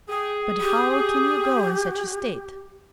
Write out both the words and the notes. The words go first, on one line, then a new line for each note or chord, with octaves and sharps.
But how can you go in such a state?
G#4 G5
G4